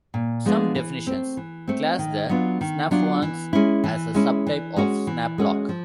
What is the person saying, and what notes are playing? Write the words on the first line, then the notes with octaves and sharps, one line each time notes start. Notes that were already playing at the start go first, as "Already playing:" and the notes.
Some definitions class the snaphaunce as a sub-type of snaplock.
A#2
F3 G#3 B3 D4
E3
A3 C4
E3
A3 C4
D#3
F#3 B3 D4 F4
D#3
F#3 B3 D4 F4
E3
G#3 C#4 E4
E3
G#3 C#4 E4
E3
G#3 C#4 F#4
E3
G#3 C#4 F#4
F3